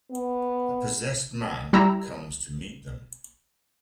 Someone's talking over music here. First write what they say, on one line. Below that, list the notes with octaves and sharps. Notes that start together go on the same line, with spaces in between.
A possessed man comes to meet them.
B3
G3 E4 A#5 E6